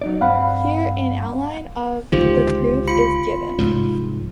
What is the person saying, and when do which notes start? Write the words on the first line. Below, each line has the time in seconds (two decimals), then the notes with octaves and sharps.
Here an outline of the proof is given.
0.02 F#3 D#4 D5
0.21 G2 C4 F5 F#5 B5
2.12 C#2 D3 D#3 F4 G4 C5
2.87 F4 B5 C#7
3.59 C2 G#2 F3